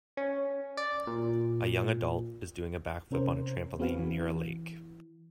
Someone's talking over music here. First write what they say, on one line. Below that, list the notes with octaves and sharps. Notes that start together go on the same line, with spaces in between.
A young adult is doing a back flip on a trampoline near a lake.
C#4
D5
A#2
C3 C#4 A#4 C5
B3 C4 F#4 G#4 B4 F5
E3